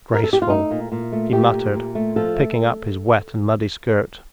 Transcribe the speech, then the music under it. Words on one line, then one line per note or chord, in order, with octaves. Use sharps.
"Disgraceful!" he muttered, picking up his wet and muddy skirt.
A#4
A4
G4
F4
A3 D#4
A#2
A#2
A3
A3 G4
A#2
A#2
A3
F3 A4
A3